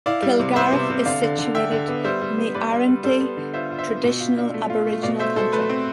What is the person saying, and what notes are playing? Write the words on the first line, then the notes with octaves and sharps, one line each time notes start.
Kilgariff is situated in the Arrernte traditional Aboriginal country.
E4 D5 F5
G3
C3
B3 C5 E5
C3
C3
D3 D5 F5
D3
D3
D3 E5 G5
D3
B3
G3 C5 E5
G3
B3
G3 B4 D5
G3
G3
G3 A4 C5
B3
D3
F4 C5 E5
F4
C5 E5
B3
B2
F4
D4
A3
F4
A3
B2 D5 F5
A3 C5 E5
B2 A4 C5
A3 B4
C4